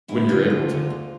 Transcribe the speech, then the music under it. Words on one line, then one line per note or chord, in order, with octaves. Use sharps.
When you're able to.
D2 E4
D2 F4
D2
D2
D2